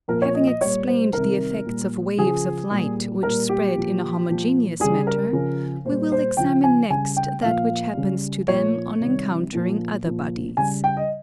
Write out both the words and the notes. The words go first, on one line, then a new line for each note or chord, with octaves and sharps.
Having explained the effects of waves of light which spread in a homogeneous matter, we will examine next that which happens to them on encountering other bodies.
A#2 F3 A#4
C#5
D#5
D#5
A#2 G3 C#5
C5
C3 D#3 G3 A#4
A#2 G3
C#3 F3 G#4
A#2 G3
A#2 G3 A#4
G4
A#2 F3
A#2 F3
C#3 G3 G#4
A#4
C#3 F3
A#2 G3 C5
C5
C#3 F3 G5
G#5
C#3 G3 G#5
G5
A#2 F3 F5
C#3 G3
A#2 F3 C#5
C3 D#3 G3
A#2 F3
A#2 F3
C#3 G3 G#5
G5
D#5